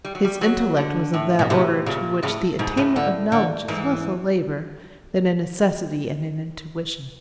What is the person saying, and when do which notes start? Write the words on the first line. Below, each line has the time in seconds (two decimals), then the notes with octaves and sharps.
His intellect was of that order to which the attainment of knowledge is less a labor than a necessity and an intuition.
0.05 G3
0.15 F#3
0.24 G3
0.41 F#3
0.77 D3
1.14 A2
1.39 B2
1.50 A2 C3
1.86 A#2 C#3
2.23 A2 C#3
2.59 G#2 B2
2.77 A2 C#3
2.96 D3
3.32 D3
3.68 G#2 E3